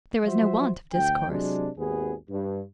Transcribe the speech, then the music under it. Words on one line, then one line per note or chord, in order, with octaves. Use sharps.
There was no want of discourse.
F3 F#3 F#4 C5 E5
D2 G5
C3 F#3 G#3 D4
G#1 D#2 B3 G#4
G2